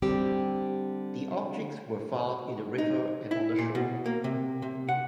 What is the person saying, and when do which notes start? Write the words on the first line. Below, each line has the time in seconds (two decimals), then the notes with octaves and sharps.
The objects were found in the river and on the shore.
0.02 D3 G3 C4 G4
2.78 D#4
3.31 E4
3.59 A#2
3.75 B2
4.06 A#3
4.24 C3
4.62 C3
4.89 F#5